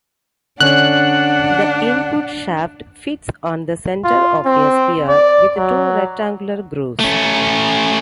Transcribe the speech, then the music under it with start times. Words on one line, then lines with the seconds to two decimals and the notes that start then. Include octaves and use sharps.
The input shaft fits on the centre of a sphere with two rectangular grooves.
0.60 D3 C#4 D4 C#5 F#5 F#6
4.04 F4
4.46 C4
5.09 D5
5.57 F#3
7.00 A3 C#4